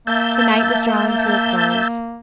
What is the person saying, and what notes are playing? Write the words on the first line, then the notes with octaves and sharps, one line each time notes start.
The night was drawing to a close.
A#3 E5 A5 G6